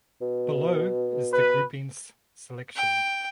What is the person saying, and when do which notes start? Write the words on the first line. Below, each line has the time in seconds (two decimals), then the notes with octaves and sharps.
Below is the groupings selection.
0.21 B2
1.33 B4
2.76 G5